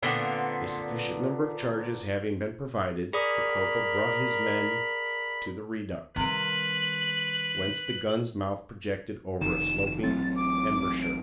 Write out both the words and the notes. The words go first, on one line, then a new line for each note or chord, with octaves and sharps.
A sufficient number of charges having been provided, the corporal brought his men to the reduct, whence the gun's mouth projected over a sloping embrasure.
A#2 D3 B3 C4
G#4 A#4 D5 B5 D#6
C3 D#3 G3 A#4 B4 F#7
F1 A#1 D#3 E7
A1 F#3 C4 A6
D6
D7